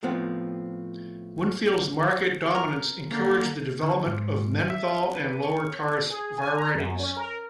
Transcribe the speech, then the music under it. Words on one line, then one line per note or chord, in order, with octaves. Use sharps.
Winfield's market dominance encouraged the development of menthol and lower tar varieties.
A2 F3 B3 C4
F#3 A#4
D3 A#3
D3
G#2
E5
B4
C#5
G#4
G#5
A#5
F#2
C#4
A#4